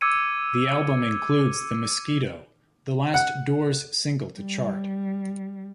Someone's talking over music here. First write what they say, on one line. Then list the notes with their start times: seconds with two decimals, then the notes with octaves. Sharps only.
The album includes "The Mosquito", the last Doors single to chart.
0.01 D6 E6 G#6 C#7 D#7
3.14 F#5
4.39 G3